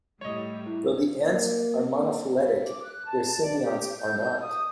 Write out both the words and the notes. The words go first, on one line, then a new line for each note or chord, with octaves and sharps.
Though the ants are monophyletic, their symbionts are not.
A2 G3 C#5 D#5
E4
A#3
A#3
E5
D6
F#6
A5
D5
G4
G6
G6
D#6